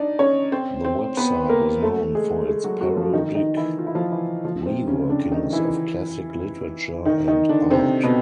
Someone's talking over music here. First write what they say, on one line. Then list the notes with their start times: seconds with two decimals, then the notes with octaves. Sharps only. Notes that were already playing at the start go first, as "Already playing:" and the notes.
The website was known for its parodic reworkings of classic literature and art.
Already playing: D4 D#4 D5
0.19 C#4 C#5
0.52 C4 C5
0.84 C4 C5
1.17 B3 B4
1.49 A#3 A#4
1.83 A3 A4
2.15 G#3 G#4
2.48 G#3 G#4
2.64 F#3 F#4
2.81 F#3 F#4
2.96 F3 F4
3.13 D#3 D#4
3.35 D#3 D#4
3.57 E3 E4
3.79 F4
3.87 E4
3.95 F3 F4
4.11 E3 E4
4.45 F3 F4
4.66 C3 C4
4.87 C#3 C#4
5.09 D3 D4
5.32 D#3 D#4
5.53 E3 E4
7.05 D#3 D#4
7.28 D#3 D#4
7.49 D3 D4
7.71 C3 C4
8.03 B2 B3